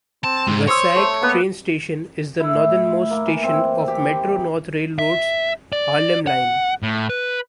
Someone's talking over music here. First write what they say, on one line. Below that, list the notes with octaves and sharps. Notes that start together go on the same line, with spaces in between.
Wassaic train station is the northernmost station of Metro-North Railroad's Harlem Line.
C4 A5
G#2
C5 C#5 C6 D#6 E6
A3
A#3 B3 B4
E4
A2
A#3
E3
C4
G4
E5
D5
F#5
A2
B4